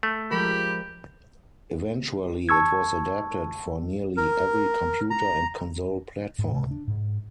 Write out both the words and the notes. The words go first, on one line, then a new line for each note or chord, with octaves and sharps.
Eventually it was adapted for nearly every computer and console platform.
A3
F3 G#3 G4 A#4 B5
A5 C#6 E6 G#6
A#4
A#5
G#2
C3
D4
G#2